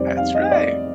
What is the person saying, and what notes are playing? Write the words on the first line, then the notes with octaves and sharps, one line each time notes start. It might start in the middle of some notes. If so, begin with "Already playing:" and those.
That's right.
Already playing: F2 C3 G3 C5 D5
F5
D#5
D5